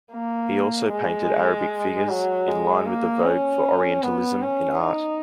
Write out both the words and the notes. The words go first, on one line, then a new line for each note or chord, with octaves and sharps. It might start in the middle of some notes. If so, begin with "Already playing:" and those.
He also painted Arabic figures, in line with the vogue for Orientalism in art.
A#3
G#3
F#3
G#3
A#3
C#4
B3
C#4
D#4